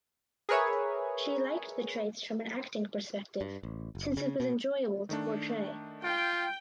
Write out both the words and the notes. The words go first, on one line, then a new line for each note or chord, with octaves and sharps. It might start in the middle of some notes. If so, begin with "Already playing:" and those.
She liked the traits from an acting perspective since it was enjoyable to portray.
G#4 A#4 B4 C#5 E5
G2
A1
F#1
C#3
B2
D#3 A3 D4
F4 G5